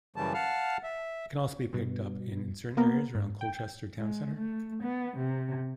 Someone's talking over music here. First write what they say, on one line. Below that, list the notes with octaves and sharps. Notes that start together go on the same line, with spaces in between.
It can also be picked up in certain areas around Colchester Town Centre.
F#2 C#3 E3 G3 A5
F5 F#5 A5 F6
E5
G2 B2
A#3 B3 A#4
G#2
G5
G#3
A3
B3
C3